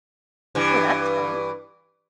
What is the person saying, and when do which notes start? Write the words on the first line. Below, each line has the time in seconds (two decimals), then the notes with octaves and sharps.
Oh, that's fun.
0.55 G2 E3